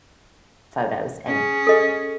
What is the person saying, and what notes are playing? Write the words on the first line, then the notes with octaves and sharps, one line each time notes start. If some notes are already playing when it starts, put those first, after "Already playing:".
photos and
C#4 G#4
A4 D#5